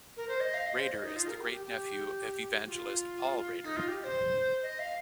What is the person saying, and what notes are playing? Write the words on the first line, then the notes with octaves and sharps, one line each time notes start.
Rader is the great-nephew of evangelist Paul Rader.
A#4
C5
D#5
F5
D#5
C5
D#5
D#4
F4
A#4
G4
G4
G4
G4
F4
D#4
F4
G4
D#5
C5
D#5
F5